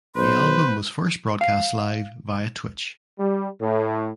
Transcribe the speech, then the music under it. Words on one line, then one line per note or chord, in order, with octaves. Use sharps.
The album was first broadcast live via Twitch.
B1 B4 C5 C6
F5
G3
A2